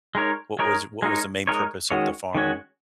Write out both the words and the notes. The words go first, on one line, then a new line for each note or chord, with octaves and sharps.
what was what was the main purpose of the farm?
G#3 D#4 A#4 C#5
G#3 D#4 A#4 C#5
G#3 D#4 A#4 C#5
G#3 D#4 A#4 C#5
D#3 G#3 C#4 F#4 C#5
D#3 G#3 C#4 F#4 C#5